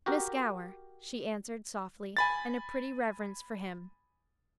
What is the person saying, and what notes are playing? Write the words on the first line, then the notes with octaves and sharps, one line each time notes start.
"Miss Gower," she answered, softly, in a pretty reverence for him.
F#4 G4 A#4
G#5 B5 A6